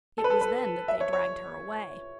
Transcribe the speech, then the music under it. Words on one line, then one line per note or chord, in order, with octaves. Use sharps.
It was then that they dragged her away.
A4
B4
A4
B4
E5
C#5
C#5